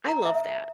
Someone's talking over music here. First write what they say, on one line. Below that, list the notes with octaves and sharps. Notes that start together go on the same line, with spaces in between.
I love that
A#5
E5